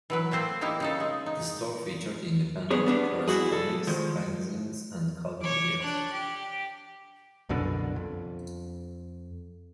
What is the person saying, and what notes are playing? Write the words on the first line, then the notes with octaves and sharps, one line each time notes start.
The store featured independent press comics, fanzines and cult videos.
E3 F#3 B4
A3 A#3 C4 C5
A#3 D#4 E4 G4 A#4
C#3 D#4 A4
G#3
D#4
B3 G#4 C#5
G3 B3 D4
E4 F#4 G#4
A4
D#3 F3 G#3
C#5 D6
D4 F#6
G4
C2 F#2 B2 D3
F2